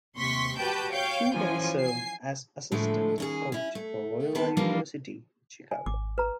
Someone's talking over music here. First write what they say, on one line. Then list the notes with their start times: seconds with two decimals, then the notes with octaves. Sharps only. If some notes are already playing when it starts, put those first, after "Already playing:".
She then served as assistant coach for Loyola University Chicago.
0.16 D#2 C3 C6 C#6 B6
0.57 F#4 G4 B4 G5 A5 G6
0.92 C#5 F5 G5 G6
1.32 F#2 E3 F3 F4 G#5
1.80 G#5 C7
2.72 A2 D3 F3 G#3 A3
3.18 D#2 C#4 G#4
3.52 C#4 E4
3.75 A3
4.35 D#3 B3 C4 B4 A5
4.57 E3 F3 G3 A#3 D4 F4
5.71 G#5
5.86 G#1 D6
6.18 B4 A#5